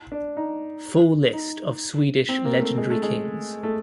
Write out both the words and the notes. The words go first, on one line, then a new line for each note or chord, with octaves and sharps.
Full list of Swedish legendary kings.
D4
D#4
D#4
C4
A#3
A3
G#3
A3
G#3
A3